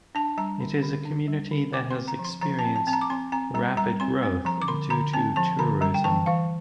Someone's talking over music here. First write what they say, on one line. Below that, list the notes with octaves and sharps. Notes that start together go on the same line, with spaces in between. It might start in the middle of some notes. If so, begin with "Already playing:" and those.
It is a community that has experienced rapid growth due to tourism.
D4 A5
G3 A#5
D3
D3
D4
G3
D3
C4 D6
C6
C4
A#5
F3
C6
F3 A#5
A5
C4
A5
C4 A5
A#5
D6
C4 C6
C4 A#5
G3 A#5
G3 A#5
C4 C6
C4
F3 A#5
D6
D3 C6
D3 A#5
C4 A5
F3 A5
D3 A#5
G3 A#5
G5
E3 A5
E3 F5